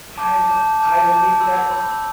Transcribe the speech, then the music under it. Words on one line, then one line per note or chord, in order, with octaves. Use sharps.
I I lit that
A5 D6 G6
A5 D6 G6
A5 D6 G6
A5 D6 G6
B5 E6 G6
B5 E6 G6